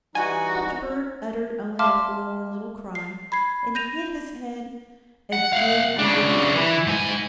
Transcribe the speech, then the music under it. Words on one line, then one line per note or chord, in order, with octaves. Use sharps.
But the bird uttered only a forlorn little cry, and hid his head again under his wings.
E3 G3 D#4 F#4 G#5
E5 F5 A5 C6 D6 F6
C7
B5 G#6 C7
G6 A#6 D#7 F7
F#5
F5 F#5
C#3 D4
E3
G#2 G#5